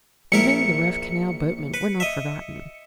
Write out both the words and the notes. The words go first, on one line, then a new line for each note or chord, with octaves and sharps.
Even the rough canal boatmen were not forgotten.
A#1 E4 A#4 C#7
B4
D#5 E5